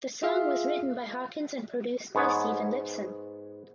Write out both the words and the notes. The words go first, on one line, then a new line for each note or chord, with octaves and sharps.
The song was written by Hawkins and produced by Stephen Lipson.
F4 G#4 E5 F5
G#2 B3 C#5